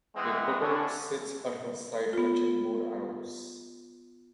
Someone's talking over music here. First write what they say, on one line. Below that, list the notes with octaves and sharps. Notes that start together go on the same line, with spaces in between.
A putto sits at her side clutching more arrows.
E3 G#3 B3 C4
A2 D3 C#4 D4
B3 F4